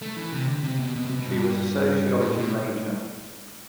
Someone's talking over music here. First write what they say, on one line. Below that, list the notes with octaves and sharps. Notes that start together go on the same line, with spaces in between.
She was a sociology major.
A3
E3
C3
D3
C3
B2
B2
C3
B2
G2
A2
B2